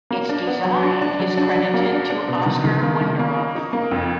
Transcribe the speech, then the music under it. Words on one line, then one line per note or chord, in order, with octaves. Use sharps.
Its design is credited to Oscar Wenderoth.
A#3
D4
B3
F#3
D4
D4
F#3
D4
F#3
A#3
D4
D4
B2
D#3
D#3
A#3
D#3
A#3
D#4
D#4
A#3
F2